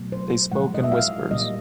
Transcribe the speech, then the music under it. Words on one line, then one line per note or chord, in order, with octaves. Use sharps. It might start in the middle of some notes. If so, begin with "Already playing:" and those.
They spoke in whispers.
Already playing: B2 F#3 A3
C5
A#2 F3 G#3 F#5
D#5
E5
F5
A#2 G3 A#3 D#5